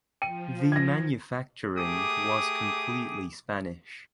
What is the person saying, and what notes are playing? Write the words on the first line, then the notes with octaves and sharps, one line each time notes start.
The manufacturing was completely Spanish.
F3 G5 D#7
G#6 A#6
A3 G4 G#4 D6 D#6